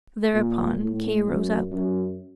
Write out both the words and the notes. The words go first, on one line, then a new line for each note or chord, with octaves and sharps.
Thereupon Kay rose up.
A#2
A2
F#2
F#2